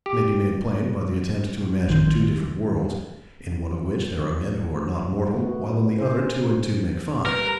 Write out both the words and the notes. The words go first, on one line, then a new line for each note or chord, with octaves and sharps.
This may be made plain by the attempt to imagine two different worlds, in one of which there are men who are not mortal, while in the other two and two make five.
G4
A1 D#3 C6 G6
A3 B3 F#4
G#4 C5
G3 A#4 B4